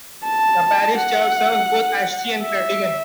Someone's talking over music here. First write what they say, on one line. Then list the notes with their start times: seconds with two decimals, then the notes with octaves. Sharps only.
The parish church serves both Aeschi and Krattigen.
0.24 A5
0.97 F#5
2.43 E5